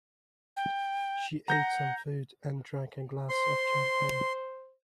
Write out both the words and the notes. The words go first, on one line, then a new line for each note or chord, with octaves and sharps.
She ate some food and drank a glass of champagne.
G5
F#5 A#5 G6 A#6
C5 C6